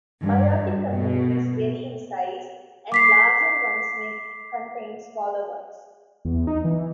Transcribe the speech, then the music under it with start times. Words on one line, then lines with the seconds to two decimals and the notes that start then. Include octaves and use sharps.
Biotic communities vary in size, and larger ones may contain smaller ones.
0.22 G2
0.91 B2
2.92 D6 B6 C7
6.25 E2
6.47 D#4
6.64 E3